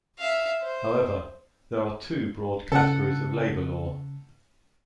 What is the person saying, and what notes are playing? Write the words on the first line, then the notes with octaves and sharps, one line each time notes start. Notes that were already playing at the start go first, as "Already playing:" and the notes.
However, there are two broad categories of labour law.
E5 F5
C5
C#3 A4 F#5